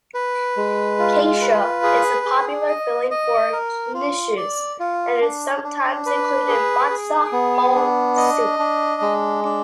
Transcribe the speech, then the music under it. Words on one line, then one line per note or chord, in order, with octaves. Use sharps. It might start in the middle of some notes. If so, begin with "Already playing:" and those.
Kasha is a popular filling for knishes and is sometimes included in matzah-ball soup.
B4
G#3
F4
B4
G#4
G#4
D#5
D#5
A#4
F4
D5
F4
D4
D4
B4
G#4
G#4
B3
D4
D#5
D4
G#3
D4